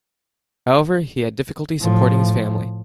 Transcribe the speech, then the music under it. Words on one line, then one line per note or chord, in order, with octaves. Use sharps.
However, he had difficulty supporting his family.
A2 F3